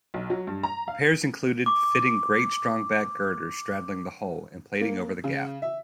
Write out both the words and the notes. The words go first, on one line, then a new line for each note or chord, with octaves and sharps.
Repairs included fitting great strongback girders straddling the hole and plating over the gap.
B1
F#3
G2
A#5
F5
C#6 D6
A#3
C#3
E5